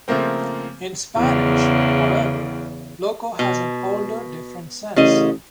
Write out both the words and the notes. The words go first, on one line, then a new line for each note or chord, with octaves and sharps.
In Spanish, however, "loco" has an older, different sense.
C#3 F3 A3 A#3 C4
E2 C#3
B2
A1 C#3 D#5